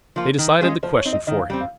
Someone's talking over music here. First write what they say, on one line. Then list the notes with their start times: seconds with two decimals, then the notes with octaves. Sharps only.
They decided the question for him.
0.16 F3 A#3 F4
0.38 D#3
0.61 G#3 C#4 F4 G#4
0.83 F3 C5
0.98 C#5
1.05 C4 D#4
1.13 D#5
1.27 D#3 D#5
1.39 F5
1.50 G3 C4
1.61 F5